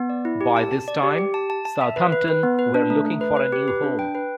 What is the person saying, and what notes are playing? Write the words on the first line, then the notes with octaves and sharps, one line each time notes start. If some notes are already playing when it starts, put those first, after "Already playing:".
By this time, Southampton were looking for a new home.
Already playing: B3
D5
E4
G4
A5
A5
D5
G4
G4
A5
A5
A5
E5
B4
B4
B4
B3
B4
D4
A3
A3
B4
B4
G4
B4
D4
G5
B4